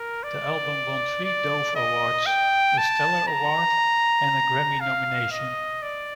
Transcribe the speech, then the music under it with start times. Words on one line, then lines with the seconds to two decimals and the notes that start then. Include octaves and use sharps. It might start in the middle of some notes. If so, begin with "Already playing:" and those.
The album won three Dove Awards, a Stellar award and a Grammy nomination.
Already playing: A#4
0.23 D5
1.25 D5
1.76 D#5
2.26 G5
2.78 A5
3.28 A#5
4.81 F5
5.31 D#5
5.82 D5